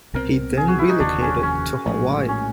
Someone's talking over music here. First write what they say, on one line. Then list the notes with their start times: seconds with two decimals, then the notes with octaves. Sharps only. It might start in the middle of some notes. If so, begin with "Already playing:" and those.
He then relocated to Hawaii.
0.14 C2 B2 G3 C4 A#4
0.57 G#4
0.68 F#4
0.79 E4
0.89 D#4
1.00 F1 D#2 D3 F3 D4
1.21 C#4
1.43 C#4
1.86 A#1 A2 F3 G#3
2.28 C#4